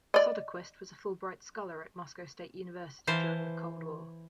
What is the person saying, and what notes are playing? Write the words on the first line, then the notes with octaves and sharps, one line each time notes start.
Soderquist was a Fulbright Scholar at Moscow State University during the Cold War.
D5 D#5
E3 C5 F5 A5